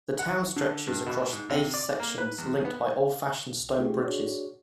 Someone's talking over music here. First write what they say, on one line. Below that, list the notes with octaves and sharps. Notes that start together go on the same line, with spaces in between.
The town stretches across eight sections, linked by old-fashioned stone bridges.
F#5
D3
G2
B2
G#2
C3
D5
A#3
B4
E2
B3
C2
A3 C#4 D#4 F4 G4 G#4
D4 F#4 G#4 C#5 D5